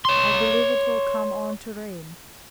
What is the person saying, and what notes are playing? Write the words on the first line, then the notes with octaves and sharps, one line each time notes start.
I believe it will come on to rain.
C#5 C6